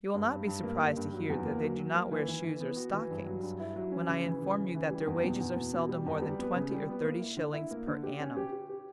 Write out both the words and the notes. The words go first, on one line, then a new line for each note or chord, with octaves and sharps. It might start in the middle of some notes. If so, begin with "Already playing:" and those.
You will not be surprised to hear that they do not wear shoes or stockings, when I inform you that their wages are seldom more than twenty or thirty shillings per annum.
G2
G2
G2
A#3
G2
G2
F#3
E2
A#3
F#3
F#3
A#3
E3
E3
E3
B3
F#4
E3
G2
F#3
G2
E4
F#3
C#4
C#3
E3
C#3
C#3
E3
G3
E2
B2
E2
B2
B2
G3
E2
G3
B3
C#3
G3
B3
A#3
E4
D3
E4
A#3
D3
G4
C#4
G4
G4
G4